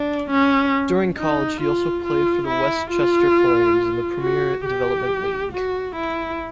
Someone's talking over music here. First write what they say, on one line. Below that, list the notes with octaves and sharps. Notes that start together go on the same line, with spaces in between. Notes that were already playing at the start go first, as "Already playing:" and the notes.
During college, he also played for the Westchester Flames in the Premier Development League.
Already playing: D4
C#4
D#4
F4
F4
E4
F4
F#4
G4
F#4
E4